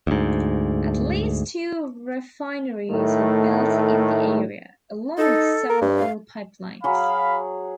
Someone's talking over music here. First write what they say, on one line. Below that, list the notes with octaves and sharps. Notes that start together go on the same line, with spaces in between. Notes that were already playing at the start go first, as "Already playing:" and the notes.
At least two refineries were built in the area, along with several oil pipelines.
D2 G#2
A2 D#3 A3
D#4 A4
A#4
G2
F5
F#3 G#4 F5 B5